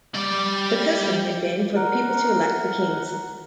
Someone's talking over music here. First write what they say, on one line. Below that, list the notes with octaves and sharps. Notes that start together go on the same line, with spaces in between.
The custom had been for the people to elect the kings.
G3 D5
A#4 F#5